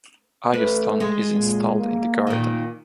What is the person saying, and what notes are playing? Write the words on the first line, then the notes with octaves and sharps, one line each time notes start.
Iyo Stone is installed in the garden.
A3 B4
G#3
A#2
A#3
A#2 D#3